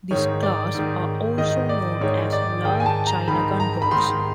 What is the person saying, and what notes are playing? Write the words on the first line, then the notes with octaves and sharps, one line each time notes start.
This class are also known as "Large China Gunboats".
G#2 D#3 C#5
D5
G#2 D#3
G#2 D#3 D#5
D5
G#2 D#3 C#5
D5
G#2 D#3 G5
G#5
A5
A#5
G#2 D#3 B5
A#5
B5
G#2 D#3 C6